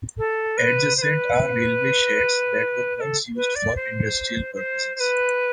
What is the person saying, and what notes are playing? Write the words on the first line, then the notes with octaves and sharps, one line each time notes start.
Adjacent are railway sheds that were once used for industrial purposes.
A4
B4
C5
B4
B4
A4
B4
D5
C5
C5
C5
B4